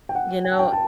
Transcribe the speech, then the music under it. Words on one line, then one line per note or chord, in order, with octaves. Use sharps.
You know
G5
F#5
G5
A5
G5
A5